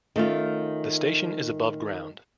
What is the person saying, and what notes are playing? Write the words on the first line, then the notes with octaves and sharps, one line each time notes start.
The station is above ground.
D#3 A3 C#4 F4